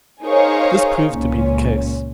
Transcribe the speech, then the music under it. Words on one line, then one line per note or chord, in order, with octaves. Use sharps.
This proved to be the case.
D#4 G#4 A#4 C5 C#5 F5
C#2 A#2 C#4